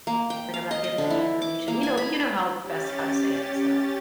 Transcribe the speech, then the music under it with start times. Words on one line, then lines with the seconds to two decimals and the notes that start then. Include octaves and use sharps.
like, I'm not given any information." You know you know how best how to say it. So
0.07 A#3
0.30 G5
0.54 F5
0.71 D#5
0.84 D#5
0.98 D3
1.10 E4
1.42 D6
1.68 A#3
1.83 G#5
1.97 B5
2.59 C#4 G4 A6